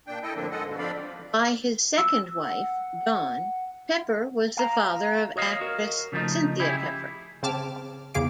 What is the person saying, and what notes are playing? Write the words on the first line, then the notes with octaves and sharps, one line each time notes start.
By his second wife, Dawn, Pepper was the father of actress Cynthia Pepper.
A#2 D4 G5
E4 A4 D#5 G5
F2 A2 D3 F3 A#3 D4
G#2 G#3 A4 D#5 F#5
G#2 B2 D3
F3 C4 D4 D5 F5 B5
E6
F#5
F5 A#5
F#4 C#5 D#5 F5
F#4 A#4
C#3 F3 G3 A3 D#4
C#3 E4 G4 G#4
C#3 C4 A5 D6 F6
E2 C#3 G#4 F5 D6 D7